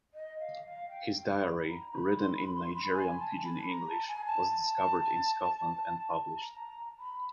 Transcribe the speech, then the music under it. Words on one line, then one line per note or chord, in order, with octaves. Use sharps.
His diary, written in Nigerian Pidgin English, was discovered in Scotland and published.
D#5
F5
F5
G5
B5
A#5
B5
C6
B5
C6
B5
G#5
A5
B5
A#5
A5
G#5
A5
A5
A#5
B5